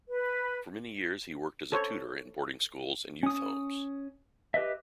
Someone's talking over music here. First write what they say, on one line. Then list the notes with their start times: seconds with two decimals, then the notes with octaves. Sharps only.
For many years he worked as a tutor in boarding schools and youth homes.
0.08 B4
1.72 A4 C5 C#5
3.23 C#4 D#6
4.54 G4 B4 D#5 E5